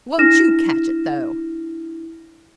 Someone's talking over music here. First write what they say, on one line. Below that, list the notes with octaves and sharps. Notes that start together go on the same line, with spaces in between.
"Won't you catch it though!"
D4 E4 F6 A#6 E7